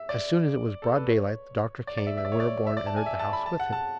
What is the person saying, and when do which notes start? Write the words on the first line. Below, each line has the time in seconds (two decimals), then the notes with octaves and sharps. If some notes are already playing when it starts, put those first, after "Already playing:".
As soon as it was broad daylight the doctor came, and Winterborne entered the house with him.
Already playing: E5
0.09 D5
0.82 A4
0.95 B4
1.08 C#5
1.87 D5
1.98 D5
2.07 E5
2.17 E5
2.25 D5
2.32 C#5
2.40 D5
2.67 E5
2.77 D5
2.87 A5
2.96 G#5
3.06 E5
3.19 A5
3.33 B5
3.46 A5
3.60 F#5
3.73 A5